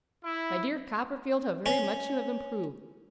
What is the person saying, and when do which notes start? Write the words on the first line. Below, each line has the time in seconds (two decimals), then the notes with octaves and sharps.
My dear Copperfield, how very much you have improved!
0.24 E4
1.66 C#4